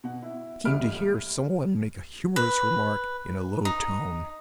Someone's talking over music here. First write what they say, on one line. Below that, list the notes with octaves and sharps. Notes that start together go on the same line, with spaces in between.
He seemed to hear some one make a humorous remark in a low tone.
B2 F#5
E4
D#1 A1 E5 B5 F6 D7
B4
D#4